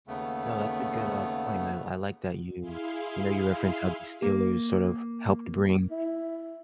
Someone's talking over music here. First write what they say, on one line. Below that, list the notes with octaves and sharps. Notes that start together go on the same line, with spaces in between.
No, that's a good, uh, point. I I like that you, you know, you referenced how the Steelers sort of helped bring,
D#2 C#3 A3 B3
E4 G#4 F5 C6
A#3
E4